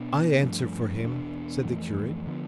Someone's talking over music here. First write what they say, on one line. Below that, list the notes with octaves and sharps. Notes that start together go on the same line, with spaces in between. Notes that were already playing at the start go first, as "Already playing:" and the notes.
"I answer for him," said the curate.
Already playing: B2 B3 D4
G2 F3 A3 D4
E2 B2 A3 D4
F2 E3 A3
D3 F3 B3